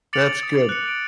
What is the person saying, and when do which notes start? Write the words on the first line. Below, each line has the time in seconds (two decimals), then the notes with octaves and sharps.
That's good.
0.13 D6 A6 C#7 D7 F7 F#7
0.43 D#6
0.69 F#6 C#7
0.88 D7